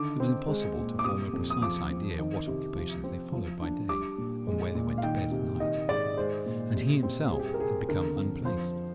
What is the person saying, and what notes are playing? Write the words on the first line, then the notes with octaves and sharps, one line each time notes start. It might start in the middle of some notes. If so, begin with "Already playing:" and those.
It was impossible to form a precise idea what occupations they followed by day and where they went to bed at night. And he himself had become unplaced.
Already playing: D3 D#3 D4 D6
C4
G#3
A#2
D6
C3 D#6
F2
D#6
F3 D6
C4
D#3
C3
F3
C4
F3
D4
G3 D6
A#2
G#3
A#2
F5
D#3 G5
C3
D#3 D#5
G#2 D5
G#3 C5
A#2
C3
C4
G3 G#4
G4
G#4
A#4
C3 G#4
D3 A#4
F2
F3 C5